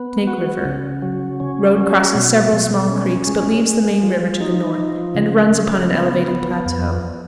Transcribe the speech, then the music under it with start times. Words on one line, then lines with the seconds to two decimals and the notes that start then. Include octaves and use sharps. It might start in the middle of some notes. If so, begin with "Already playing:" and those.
Snake River.--Road crosses several small creeks, but leaves the main river to the north, and runs upon an elevated plateau.
Already playing: B3
0.27 F#4
0.65 C#3
1.02 F#3
1.40 C#4
1.77 F#3
2.15 B2
2.53 B2
2.90 C#4
3.27 G#3
3.65 G#3
4.03 F3
4.40 D#4
4.78 F3
5.15 C#3
5.53 C#3
5.90 B3
6.28 B3
6.66 F2